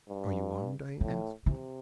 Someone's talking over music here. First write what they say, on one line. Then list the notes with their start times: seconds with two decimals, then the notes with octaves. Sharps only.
"Are you armed?" I asked.
0.09 G2
1.00 A2 F3
1.46 C3 E3